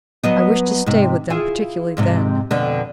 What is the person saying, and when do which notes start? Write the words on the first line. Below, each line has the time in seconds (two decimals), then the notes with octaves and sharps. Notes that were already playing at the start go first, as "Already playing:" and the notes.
I wish to stay with them particularly then.
0.24 F#3 B3 D#5
0.86 G#2 C3
1.30 E4 F4 G#4
1.97 F2 G#2 C3
2.51 F2 B2 D3